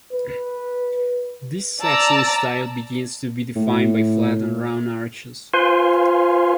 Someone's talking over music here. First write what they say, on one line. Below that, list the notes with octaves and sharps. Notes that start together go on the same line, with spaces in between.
This Saxon style begins to be defined by flat and round arches.
B4
D5 A5 A#5 E6
A2
F4 B4 C5 F5 G#5 C6